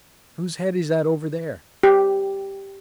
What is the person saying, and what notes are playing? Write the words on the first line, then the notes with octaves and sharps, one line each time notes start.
"Whose head is that over there?"
G4